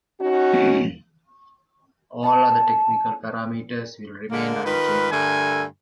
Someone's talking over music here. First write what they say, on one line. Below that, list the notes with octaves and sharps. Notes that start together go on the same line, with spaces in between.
All other technical parameters will remain unchanged.
C#4 D#4 F#4
A5
D3 G#3 A#3
D#3 F4 B4
G2 D3 A3 A#4 G#5